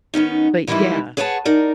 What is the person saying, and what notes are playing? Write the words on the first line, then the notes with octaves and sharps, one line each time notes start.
but yeah,
D#3 B3 C#4 D#4
D#3 E3 G3 G#3 D#4 E4
G#4 B4 C#5 F#5 G#5 A5
D#4 A#4 D5